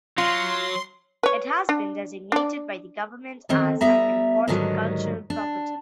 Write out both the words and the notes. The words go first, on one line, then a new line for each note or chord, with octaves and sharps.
It has been designated by the government as an Important Cultural Property.
F#3 F4 C6
B4 C#5
D4
D4 D5
D3 D#3 C4
G3 B3 E5 A#5
G#2 D3 D#3 F#3 G3
D4